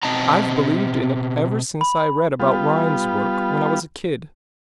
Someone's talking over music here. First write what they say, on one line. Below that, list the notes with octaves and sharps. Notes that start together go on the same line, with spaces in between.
I've believed in it ever since I read about Rhine's work, when I was a kid.
B2 C4 D#5 G5 A5 A#5
B5
G3 B3 F4